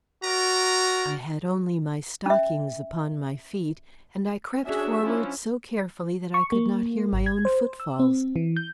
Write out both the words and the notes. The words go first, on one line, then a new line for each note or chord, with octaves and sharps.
I had only my stockings upon my feet and I crept forward so carefully that I could not hear my own footfalls.
F#4 A#4 D5 A#5
C#4 E5
C#4 D4 F#4 G#4 E5
F3 C#4 D4 E4
C#6
A#3
G#1
G#6
C5
E6
C4
E3
G6